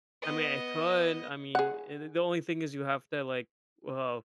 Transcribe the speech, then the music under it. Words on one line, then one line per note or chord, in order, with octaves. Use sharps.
I mean, it could I mean, eh, the the only thing is you have to, like well
B3 D#5
G#4 F#5